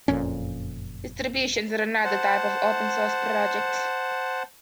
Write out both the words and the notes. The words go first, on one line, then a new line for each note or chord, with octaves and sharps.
Distributions are another type of open-source project.
F#1 F2 A#2 C#4
C5 F#5 A5